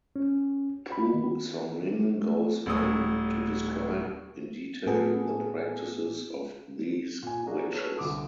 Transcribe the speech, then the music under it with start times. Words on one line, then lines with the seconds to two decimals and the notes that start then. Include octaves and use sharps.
Pu Songling goes on to describe in detail the practices of these witches.
0.16 C#4
0.92 B5
1.14 D#3
2.19 A3
2.66 D#1 A2 D#6
4.86 A2 B3 G#4 A4
7.23 A#2 G#5
7.46 F3 D4 F#4 G#4 A#4
7.72 G#4 A4 B4 C#5 A5
7.98 C2 D3 D6 D#6